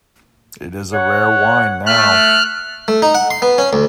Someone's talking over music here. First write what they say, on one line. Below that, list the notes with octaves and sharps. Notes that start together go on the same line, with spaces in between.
It is a rare wine now.
C#5 F#5
A3 F6 F#6
A3
D#4
F#5
C6
B3
C#4
D2